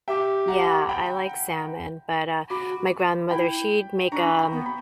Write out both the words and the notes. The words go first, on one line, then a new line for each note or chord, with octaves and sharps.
Y yeah, I like salmon, but, uh, my grandmother, she'd make, um
G4 E5 G5
F#5 A#5
G5 B5
F#4 B5 D6
E4 G5 B5
D4 A#5 C#6
G5 B5
B3
B5